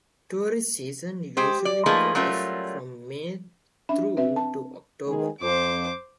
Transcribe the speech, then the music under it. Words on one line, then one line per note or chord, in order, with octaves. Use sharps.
Tourist season usually goes from May through to October.
G#3 G4 C5
D5
F3 A3 A#3 D#4 G#4 B4
F#3 G3 A3 C#4 F4 A#4
C#4 D4 E5 B5
C4 B4 E5
A5
D#3 G#3 G#4
F2 C5 D6